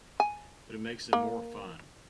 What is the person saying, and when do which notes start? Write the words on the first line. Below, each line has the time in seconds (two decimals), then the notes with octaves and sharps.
But it makes them more fun!
0.20 G#5
1.13 A#3